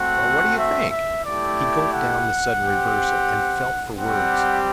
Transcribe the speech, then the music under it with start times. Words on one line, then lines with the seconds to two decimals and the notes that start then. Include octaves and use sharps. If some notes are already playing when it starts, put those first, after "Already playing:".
Well what do you think--' He gulped down the sudden reversal and felt for words.
Already playing: A3 C4 F#4 F#5
0.56 E5
0.90 E5
1.24 A3 E4 G4 D5
1.91 F#5
2.60 C4 G4
3.96 G3 C4 G4 F#5